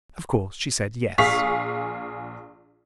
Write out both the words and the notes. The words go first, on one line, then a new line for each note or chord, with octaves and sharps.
Of course she said, Yes.
A#1 G#4 F5 C#6 B6 F7